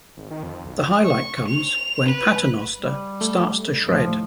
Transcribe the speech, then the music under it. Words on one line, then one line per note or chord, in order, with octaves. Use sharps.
The highlight comes when Paternoster starts to shred.
G#1
D#3
F2
B1
C#6
F7
B4
G3
A3
D#2 A2 F3